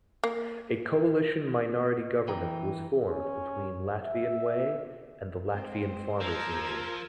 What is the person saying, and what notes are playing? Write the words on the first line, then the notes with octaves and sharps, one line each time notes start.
A coalition minority government was formed between Latvian Way and the Latvian Farmers' Union.
A#3
E3 G5 A#5
C#4
E5
G#3 C4 C5
F3 A#4 E6 G#6